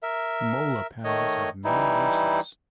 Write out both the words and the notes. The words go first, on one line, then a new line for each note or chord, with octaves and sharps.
Mola panels have many uses.
A#4 E5
D#3 A3 C#5 D#5
E3 G3 D#4 E4